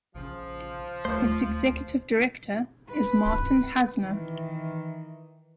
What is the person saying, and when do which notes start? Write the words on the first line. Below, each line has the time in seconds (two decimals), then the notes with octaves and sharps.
Its executive director is Martin Hassner.
0.15 A#1 C#3 F3
1.05 D1 D#2 A3 C5
2.89 B4
3.97 D#3 E3